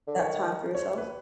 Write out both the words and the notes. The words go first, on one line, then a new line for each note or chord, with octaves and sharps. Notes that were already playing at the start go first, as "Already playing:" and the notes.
that time for yourself?
D3
D#3 C#5
C#5
C5
B4